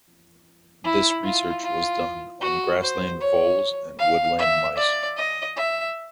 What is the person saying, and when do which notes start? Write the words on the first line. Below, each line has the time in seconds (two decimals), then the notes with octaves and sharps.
This research was done on grassland voles and woodland mice.
0.84 E4
1.24 F4
1.63 F4
2.41 F#4
2.81 C5
3.20 C#5
3.99 F5
4.38 E5
4.77 D5
5.17 D#5
5.56 E5